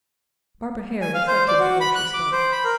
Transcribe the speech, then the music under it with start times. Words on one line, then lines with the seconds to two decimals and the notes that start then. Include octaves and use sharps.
Barbara Hare reflected before she spoke.
1.02 G#5
1.14 F5
1.27 C5
1.48 D5
1.59 F#4
1.81 B5
1.95 F#6
2.14 D6
2.32 C5
2.52 B5
2.64 A#4